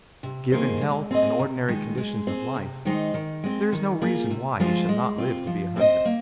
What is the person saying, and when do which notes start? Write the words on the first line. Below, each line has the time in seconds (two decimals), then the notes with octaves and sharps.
Given health and ordinary conditions of life, there is no reason why he should not live to be a hundred.
0.23 C3
0.52 D#3 A#3 G#4 C5
0.82 G#3
1.11 C4 G#4 D#5
1.39 C3
1.68 D#3 G#3
1.98 G#3
2.27 C4 G#4 C5
2.56 C3
2.85 D#3 G#3 D#4 C5
3.14 D#3
3.44 G#3 C4
3.72 D#3
4.02 A#3 F4 G#4
4.31 C3
4.60 F3 G#3 F4 C5
4.89 G#3
5.18 C4 F4
5.47 F3
5.76 C4 G#4 C5 D#5
6.05 A#3